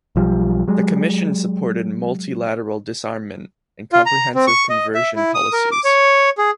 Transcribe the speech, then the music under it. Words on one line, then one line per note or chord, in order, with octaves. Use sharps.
The commission supported multilateral disarmament and comprehensive conversion policies.
B1 F3 G3
F#3 G#3
F4
A#5
C4
C#6
D#5
E5
E4
D#6
A#4
D6
C#5
G#4